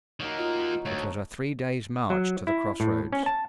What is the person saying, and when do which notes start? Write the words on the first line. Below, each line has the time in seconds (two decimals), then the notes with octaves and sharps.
It was a three days' march to the cross roads.
0.20 D#3 A#3 D#4 F#4 C#5
0.38 D#4 F4
0.85 D2 A3 F#4 C#5
2.10 F#3
2.47 E4
2.80 A2
3.12 C#4
3.26 A5